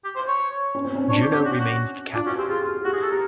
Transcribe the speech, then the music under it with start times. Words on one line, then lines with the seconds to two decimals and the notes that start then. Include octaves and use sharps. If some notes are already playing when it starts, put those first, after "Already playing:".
Juneau remains the capital.
0.05 G4
0.16 C5
0.28 C#5
0.75 C#4
0.85 C4
0.95 C#4
1.09 D4 C#5
1.22 D4 G4
1.33 C#4 G4
1.45 F#4
1.52 G4
1.60 F#4
2.15 D4 F4
2.26 C#4 F#4
2.38 C4 G4
2.49 F4 G#4
2.67 G#4
2.85 F#4 G4
2.93 G#4
3.02 A4
3.12 G4 A#4